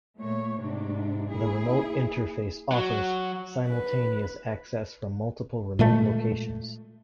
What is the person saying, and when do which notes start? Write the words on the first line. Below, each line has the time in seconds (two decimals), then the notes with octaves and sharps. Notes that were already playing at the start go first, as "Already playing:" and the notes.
The remote interface offers simultaneous access from multiple remote locations.
0.18 A#2 A3 C#5
0.60 G#2 C3 D4
1.31 D#2 E4 G#4
2.72 F#3 F#4
3.69 B4
5.79 A#2 G#3 A3